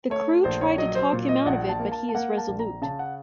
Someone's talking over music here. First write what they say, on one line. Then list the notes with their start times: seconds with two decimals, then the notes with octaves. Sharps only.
The crew try to talk him out of it but he is resolute.
0.10 A3 C#5
0.44 A#1 C5
0.61 C#5
0.78 F#3 D#5
0.95 C5
1.13 A#2
1.29 D#5
1.46 A#1 F#5
1.69 A5
1.80 A#3
1.92 A5
2.09 A5
2.15 A#3 F#5
2.37 A5
2.48 A#1
2.59 A#5
2.82 C#3 A5
2.99 F#5